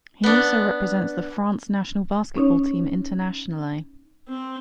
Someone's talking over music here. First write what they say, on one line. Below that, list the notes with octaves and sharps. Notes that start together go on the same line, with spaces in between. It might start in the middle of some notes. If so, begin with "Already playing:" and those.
He also represents the France national basketball team internationally.
B3 D4
C#4 D#4 C#5
C4